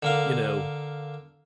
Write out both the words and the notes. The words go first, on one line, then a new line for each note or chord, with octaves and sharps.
you know,
D3 A#3 F5